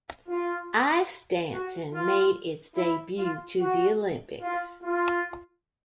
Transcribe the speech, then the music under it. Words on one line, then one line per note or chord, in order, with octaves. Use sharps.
Ice dancing made its debut to the Olympics.
F4
F#4
F4
E4
F4
F#4
F4
F4